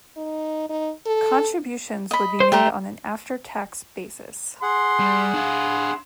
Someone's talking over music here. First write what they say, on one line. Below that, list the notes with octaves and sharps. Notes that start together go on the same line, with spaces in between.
Contributions would be made on an after-tax basis.
D#4
D#4
A4
D#5 B5
C5
A3 G4 C5 A#5
G#4 F#5 C6
G3
D4 F5 C6